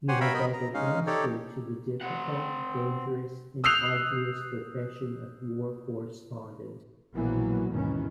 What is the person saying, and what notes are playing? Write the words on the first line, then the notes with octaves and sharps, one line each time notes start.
You have added luster to the difficult, dangerous and arduous profession of War Correspondent.
G4 C5 C#5 F#5 G#5
C#5 E5 F5 G5 A#5 B5
B3 A#4 D#5 B5
A#5
G#3 C#4 D#4 F5
D#4 G4 A4 C#5 D5
C4 F#5
D#6 E6 F#6 G6 C7 F7
A#1 B2 E3 F#3 A#3 B3
G#1 D#2 B2 D#3 E3 C#4